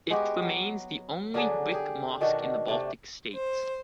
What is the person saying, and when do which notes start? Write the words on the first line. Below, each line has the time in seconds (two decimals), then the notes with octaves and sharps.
It remains the only brick mosque in the Baltic states.
0.10 G#3 B3 F#4 G4
0.42 F#3
1.34 D3 F#3 D4 G#4
1.72 G4 G#4
2.21 B2 D#3 D4 F#4
2.68 C3 A3 D4
3.34 C5